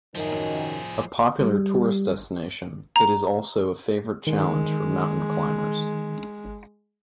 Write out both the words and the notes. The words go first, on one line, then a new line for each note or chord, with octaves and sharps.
A popular tourist destination, it is also a favourite challenge for mountain climbers.
F#2 D#3 F3 G#4
G3
A#5
D#3 G#3